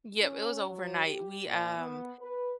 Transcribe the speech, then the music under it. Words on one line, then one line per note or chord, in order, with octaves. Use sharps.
Yep, it was overnight. We, um
C#4
F#3
G4
A#2
B3
B4